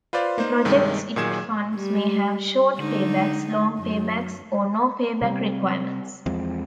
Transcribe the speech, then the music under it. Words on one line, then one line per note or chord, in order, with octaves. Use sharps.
The projects it funds may have short paybacks, long paybacks, or no payback requirements.
F4 B4 C5 D5 F5
A#3 D#4 C5
G2 C3 D#3 G3 G#3
A#2 D#3 F#3 G#4 G#6 E7
G3
D3 G#3 D#4
F#2
C3 G3 C4
E2 F3 G#3 C4